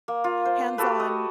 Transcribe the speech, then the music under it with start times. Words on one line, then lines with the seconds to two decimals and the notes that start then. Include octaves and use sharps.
Hands on,
0.08 A#3
0.24 F4
0.45 C5
0.78 F#4 G4 A4 B4
1.00 D#5